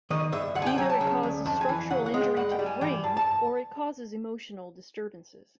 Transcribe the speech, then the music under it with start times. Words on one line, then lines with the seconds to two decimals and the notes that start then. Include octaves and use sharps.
Either it causes structural injury to the brain, or it causes emotional disturbances.
0.10 D#3 D#5
0.32 G2 E5
0.55 D2 F#5
0.62 G#5
0.66 G5
0.78 F#3 G#5
0.90 A5
1.01 C#3
1.23 D2
1.46 F2 A5
1.61 G#5
1.69 E3
1.90 C#3 F#5
2.06 F#5
2.14 G#3
2.21 G5
2.36 G2 F#5
2.51 G5
2.59 G3
2.66 G#5
2.81 E3 G5
3.04 G2 A5
3.17 A5